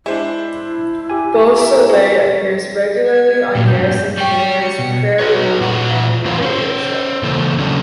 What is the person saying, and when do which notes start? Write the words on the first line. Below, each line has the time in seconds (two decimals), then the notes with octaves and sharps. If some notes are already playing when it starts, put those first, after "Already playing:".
BeauSoleil appears regularly on Garrison Keillor's "Prairie Home Companion" radio show.
0.06 G#3 D4 E4 C5 E5
1.10 G4 G#5
1.58 A4 A#4 E5
1.89 F#3 C4
3.05 G#6
3.55 G2 A#2 F#3
3.68 G6
4.18 G3 G5 C#6
4.60 C#7
4.79 B2
5.19 F#4 B4 C#5
5.60 A#2 F4 F#5
6.25 A2 E3 F#3 C4 F4
6.42 C#4 C5
7.23 C#3 E3 A#3 A4 C5
7.59 E2 C#3 F#3 C#4 D4